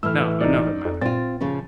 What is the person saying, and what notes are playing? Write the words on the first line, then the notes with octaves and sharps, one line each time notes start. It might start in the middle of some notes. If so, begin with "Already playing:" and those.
Now another matter.
A2 E3 E6 F6
G1 D#4 D5
F2
A#2 C4 F4 A6
C#3 F3 C#4